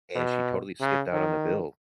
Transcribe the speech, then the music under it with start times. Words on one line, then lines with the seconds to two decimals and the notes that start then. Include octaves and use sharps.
and she totally skipped out on the bill,
0.15 B2
0.81 C#3
1.13 D#3